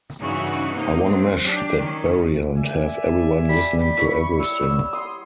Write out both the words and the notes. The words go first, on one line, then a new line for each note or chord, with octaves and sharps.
I wanna mash that barrier and have everyone listening to everything.
G2 C#3 E3 D#4 F#4
C3 A#3 D#4
F#3 C4
D4 G4
D#3 C#4
D5 E5 G#5
G3 B6
E4 C#6
C#5 E6
C6 D#6